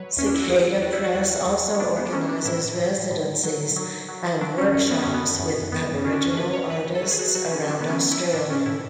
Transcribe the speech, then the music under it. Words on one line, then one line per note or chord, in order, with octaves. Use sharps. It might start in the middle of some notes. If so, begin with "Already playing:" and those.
Cicada Press also organizes residencies and workshops with Aboriginal artists around Australia.
Already playing: F#3 B4 C#5
E2 C#4
D4
E4
F#4
E2 G#4
E2 F#4
E4
F#4
E2 F#4
E2
C#4
F#3 D4
B3
D4
F#3 C#4
D4
A2 E4
A2
A2
F#3
F#3
F#3
F#3 D4
C#4
F#2 C#4
B3
F#2 C#4
B3
F#2
F#2 B3
F#2 C#4
D4
C#4
F#2 B4
C#5
F#2 B4
A4
F#3 B4
G#4
F#4
F#3 F#4
C#4
F#3 D4
B3
C#4
F#3
E4
A2 D4
C#4
A2 E4